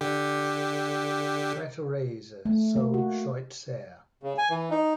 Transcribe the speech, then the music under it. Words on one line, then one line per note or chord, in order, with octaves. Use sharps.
Pretorese So 'schoit sair.
D3 G4
A3
A#3
F#4
C#3
G#5
E3
D#4